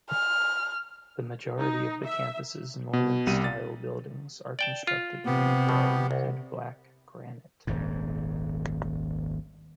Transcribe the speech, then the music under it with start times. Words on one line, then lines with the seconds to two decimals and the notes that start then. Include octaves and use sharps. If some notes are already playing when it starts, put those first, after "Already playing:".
The majority of the campus's Norman-style buildings are constructed from gray and black granite.
0.10 F6
1.58 D#4
2.05 E5
2.93 B2
3.27 C2 G3 D#7
3.44 A6
4.59 D5 G5 A5
4.87 F4
5.26 C3 B3 G4
5.69 B2
6.11 C2
7.67 D#1 G#1 G#2